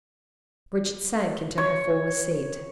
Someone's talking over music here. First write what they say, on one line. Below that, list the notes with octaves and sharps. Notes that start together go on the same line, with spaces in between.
Bridget sank into her former seat.
C#5